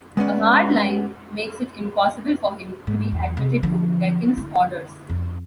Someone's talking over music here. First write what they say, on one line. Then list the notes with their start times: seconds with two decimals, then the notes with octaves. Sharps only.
A hard line makes it impossible for him to be admitted to Deacon's Orders.
0.17 G#3 B3 C#4 D5
2.87 G#2
3.12 E2
3.37 C3
3.63 D3 F3
4.37 D3 E4
5.10 F2